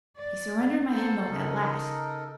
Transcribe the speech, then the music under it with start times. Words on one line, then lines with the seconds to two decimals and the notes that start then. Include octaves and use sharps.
He surrendered my hymnal at last.
0.17 D5
0.92 A#3 A4 C5 E6
1.30 C#3 D#4 A4 A#4